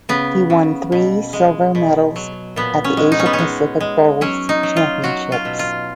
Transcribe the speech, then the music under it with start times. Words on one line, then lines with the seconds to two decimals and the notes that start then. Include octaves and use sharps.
He won three silver medals at the Asia Pacific Bowls Championships.
0.09 C#3 B3
0.50 C#3
0.92 B2
1.33 G#3
1.75 B2
2.16 F#3
2.56 A#2 B3
2.84 C#4
2.97 G#3
3.12 D#4
3.19 C#4
3.26 B3
3.33 C#4
3.39 G#3
3.81 G#3
4.21 F#3 C#4
4.49 D#4
4.63 F#3
4.77 F4
5.04 F#3 F#4
5.32 F4
5.45 B2
5.59 F4